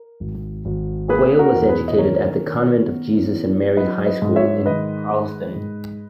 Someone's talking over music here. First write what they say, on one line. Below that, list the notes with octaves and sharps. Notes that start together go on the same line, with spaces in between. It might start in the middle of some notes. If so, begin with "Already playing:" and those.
Quayle was educated at the Convent of Jesus and Mary High School in Harlesden.
Already playing: A#4
G#1
G#1
A#3 G#4 B4
F#4 A#4
E2
G#4 B4
D#5
D#3 A#4 C#5
D#3
B3
E3
F#3 B4 D#5
B4 D#5
G#2
C#5 E5
D#3 B4 D#5
G#3
G#2